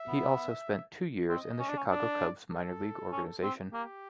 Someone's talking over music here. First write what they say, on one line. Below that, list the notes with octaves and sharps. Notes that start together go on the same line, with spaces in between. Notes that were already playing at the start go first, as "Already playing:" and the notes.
He also spent two years in the Chicago Cubs' minor league organization.
Already playing: E5
B3
C4 D#5
C#4
D4
C#4
D4 D5
A4
C#4
C4
A#3 G4